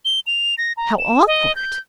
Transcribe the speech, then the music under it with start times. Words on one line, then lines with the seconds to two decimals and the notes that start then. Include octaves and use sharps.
'How awkward.
0.05 G7
0.27 F7
0.58 A#6
0.77 A#5
0.99 E7
1.27 D#5
1.55 G6